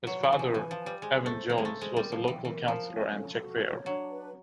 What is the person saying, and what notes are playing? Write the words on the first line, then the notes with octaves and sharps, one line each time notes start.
His father, Evan Jones, was a local councillor and checkweigher.
F#3 B4
F3
E3 G#5
F3
E3 B4
F3
G#5
G3
G#3 C5
A3 C5
A#3 C5
G#3
A3
C5
G#3
G3 A#4
F3
G5
E3
E3 A#4
F3 A#4
C#4
A4
F#4
C#5
F#3 D4
B4